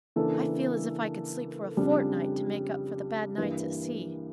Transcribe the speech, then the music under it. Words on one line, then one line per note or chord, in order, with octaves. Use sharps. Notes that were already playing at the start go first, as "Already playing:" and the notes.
"I feel as if I could sleep for a fortnight to make up for the bad nights at sea."
C#3 E3 A#3 D4 A4
F2 C#3 G3 D4
G2 E3 A#3